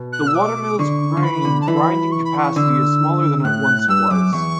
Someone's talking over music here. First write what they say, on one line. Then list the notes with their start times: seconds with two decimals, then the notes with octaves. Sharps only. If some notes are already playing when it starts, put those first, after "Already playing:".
The watermill’s grain grinding capacity is smaller than it once was.
Already playing: B2
0.13 F#6
0.27 E6
0.35 D6
0.79 D3 C#6
1.17 D3
1.23 E3 B5
1.45 D3
1.61 A5
1.67 E3 B5
2.12 C#6
2.24 B5
2.38 C#6
2.56 D3 E6
3.44 A2 F#6
3.88 G2 E6
4.10 F#2 D6
4.33 E2 C#6